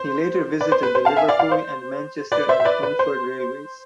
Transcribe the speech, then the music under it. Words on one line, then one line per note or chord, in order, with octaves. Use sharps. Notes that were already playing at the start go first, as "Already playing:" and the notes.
He later visited the Liverpool and Manchester and Cromford railways.
Already playing: C5
B4 D5
C5
B4
C5
F5 A5
E5 G#5
D5 F5
D5 F5
C5
B4 D5
C5 E5
E5
B4 D5
B4
C5